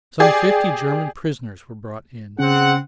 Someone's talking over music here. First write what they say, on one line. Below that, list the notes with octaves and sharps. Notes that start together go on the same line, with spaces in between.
Some fifty German prisoners were brought in.
G4 G#4 D5
C#3 C4 C#4 G#4 F#5